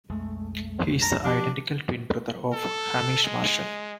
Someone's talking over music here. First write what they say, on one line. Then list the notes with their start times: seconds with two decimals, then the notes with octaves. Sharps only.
He is the identical twin brother of Hamish Marshall.
0.10 B1 F2 G#3 A3
1.02 G#2 A5 A#5
1.25 F3 D4 G4
2.53 A4
3.24 G#3